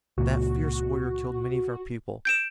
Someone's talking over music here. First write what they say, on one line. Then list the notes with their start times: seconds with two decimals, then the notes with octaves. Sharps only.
That fierce warrior killed many of our people.
0.18 C#2 A#2 F#4
2.25 G6 D7 E7